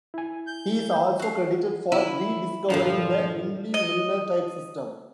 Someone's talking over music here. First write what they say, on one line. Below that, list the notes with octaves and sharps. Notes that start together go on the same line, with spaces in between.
He is also credited for rediscovering the Hindley-Milner type system.
E4 G#5
G6
F#4 F5
E4
G2 A#2 D3 F3
D#5